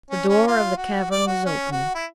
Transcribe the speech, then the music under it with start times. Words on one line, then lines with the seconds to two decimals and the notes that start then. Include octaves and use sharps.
The door of the cavern was open.
0.10 C#4
0.28 C#4
0.47 F4
0.77 F#4
1.11 D5
1.27 F#4
1.46 C#4
1.72 F#4
1.95 E4